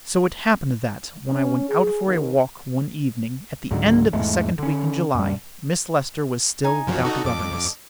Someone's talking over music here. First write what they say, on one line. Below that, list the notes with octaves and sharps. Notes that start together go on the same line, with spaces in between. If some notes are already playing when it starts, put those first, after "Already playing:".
So it happened that, when I went out for a walk one evening, at the end of the second week in July, Miss Lester was still without a governess.
C#4
G#4
D#2
C#2 G#2 D3 F#3
E2 G#2 G#3 A3
D3 C#4
F#2 G3
D#4 G#5
F#2 F3 F#3
D#4 F#4 A4 D5 D#5
F2 D6